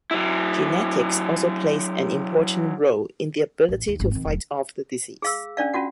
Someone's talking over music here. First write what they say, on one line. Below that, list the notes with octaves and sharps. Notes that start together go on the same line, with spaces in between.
Genetics also plays an important role in the ability to fight off the disease.
F#3 E4
A1 E3
D#2
G#1
D#3 C4
F1 F#2
G#4 F5 E6
C#4 D4 D5 F5
C#4 F4 F#4 F#5